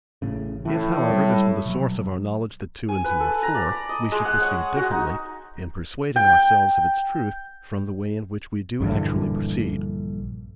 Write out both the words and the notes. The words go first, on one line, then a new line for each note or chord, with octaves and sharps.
If, however, this were the source of our knowledge that two and two are four, we should proceed differently, in persuading ourselves of its truth, from the way in which we do actually proceed.
A1 A2 C#3
A2 E3
F#3 G3 C4
B2 F#3
G#5
B4
A4
A#5
D5
B5
D#5
G#3
F#5
C#5
F#4
D#4
G5
A#1 G2 D3 E3